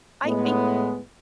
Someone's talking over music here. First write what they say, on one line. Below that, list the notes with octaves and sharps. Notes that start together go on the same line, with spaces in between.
I I
A2 G#3 B3